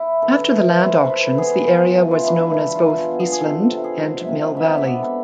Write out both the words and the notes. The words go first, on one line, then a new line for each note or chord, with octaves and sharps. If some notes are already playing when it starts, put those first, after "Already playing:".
After the land auctions the area was known as both "Eastland" and "Mill Valley".
Already playing: E4
E3 A4
E3 A4
E3 C5
E3 A4 B4
B3 G#4
G#3 F4
E3
F4
E4
E3 D4
E4
E3 E4
F4
B3
F4
G#4
B3
G#4
G#4
C3 A4
C3
G#4
G#3
E5
C3 F5
B3 E5
E5
B3 D5
A4